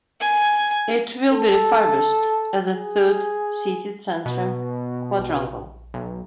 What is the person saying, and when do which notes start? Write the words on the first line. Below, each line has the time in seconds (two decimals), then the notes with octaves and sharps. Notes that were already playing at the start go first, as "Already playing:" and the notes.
It will be refurbished as a third city centre quadrangle.
0.20 G#5
1.33 A4
2.73 G#4
4.26 B2
5.18 A#1
5.94 B1